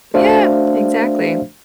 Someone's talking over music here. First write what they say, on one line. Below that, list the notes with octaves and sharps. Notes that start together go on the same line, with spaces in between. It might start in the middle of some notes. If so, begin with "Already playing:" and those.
Yeah. Exactly.
A3 D4 F#4 C5 E5 F5